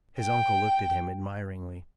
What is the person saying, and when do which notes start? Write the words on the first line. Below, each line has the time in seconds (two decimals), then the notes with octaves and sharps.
His uncle looked at him admiringly.
0.20 G5